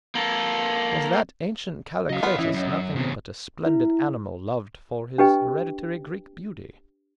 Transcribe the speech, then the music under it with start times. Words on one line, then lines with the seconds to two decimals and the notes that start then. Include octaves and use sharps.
Was that ancient Kallikrates nothing but a splendid animal loved for his hereditary Greek beauty?
0.15 A#3 A4
2.10 C#3 F#3 D#5 F5 A#5
2.23 B3 F4 C#5
2.39 E3 C#4 E4 D#5 E5
2.54 F#2
2.96 E2 C#3 C4
3.66 E4
5.18 D4 G4 B4 D#5 G5